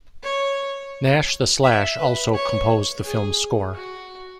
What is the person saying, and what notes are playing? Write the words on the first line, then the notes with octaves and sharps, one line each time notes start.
Nash the Slash also composed the film's score.
C#5
E5
B4
C#5
G#4
F#4